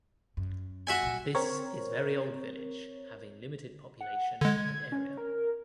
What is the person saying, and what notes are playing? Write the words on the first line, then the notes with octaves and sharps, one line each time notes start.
This is very old village having limited population and area.
F#2
F#4 E5 G#5
A#2 G3
C4 A#4 C#5
F#5
D3 G#3 G#6
C#4
A#4